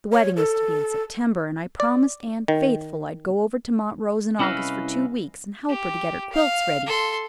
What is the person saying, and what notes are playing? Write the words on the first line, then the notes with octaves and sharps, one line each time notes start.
The wedding was to be in September, and I promised Anne faithful I'd go over to Montrose in August for two weeks and help her to get her quilts ready.
C#5
A4
D5
D#3
C2 C#4 E4 B4 D#5 F5
G4
F5
A4 C6